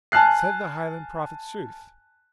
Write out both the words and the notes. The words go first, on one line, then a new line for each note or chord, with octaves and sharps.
'Said the Highland prophet sooth?
G#5 A5 F6 F#6 C7